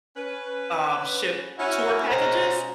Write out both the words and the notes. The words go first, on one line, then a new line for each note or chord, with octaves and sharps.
um, ship tour packages.
C#4 B4
C#4 E4 F#4
B2 G#3 C#4 C5 A#5